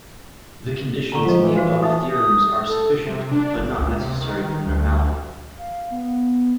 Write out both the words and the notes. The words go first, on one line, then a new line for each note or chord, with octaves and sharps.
The conditions in the above theorems are sufficient, but not necessary for normality.
D3 A#5 C#6
F3 F4 D#5
E3
E3 F#4 C5 F5
D#4 E5 D#6
D#6
A4
C3
D4
G1
C#2
C3
D#3
D2
F5
B3